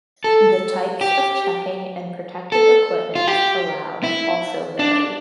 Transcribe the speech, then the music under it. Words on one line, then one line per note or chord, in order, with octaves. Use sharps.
The types of checking and protective equipment allowed also vary.
A4
G4
A4
F4
G4
E4
D4